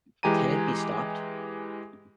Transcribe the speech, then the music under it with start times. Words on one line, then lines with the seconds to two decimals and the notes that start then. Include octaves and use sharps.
Can it Be Stopped?
0.23 E3 G#3 G4 G#5 A#5 D#7